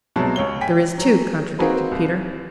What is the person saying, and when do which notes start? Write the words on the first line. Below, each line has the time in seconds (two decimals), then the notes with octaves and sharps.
"There is too," contradicted Peter.
0.16 C2 B2 F#3 G#3 A5
0.36 C#2 C#5 G7
0.61 G5 G#5 B6
0.98 F#3
1.59 A#3 C4 D#4 F#4 G#4 B4
1.91 C2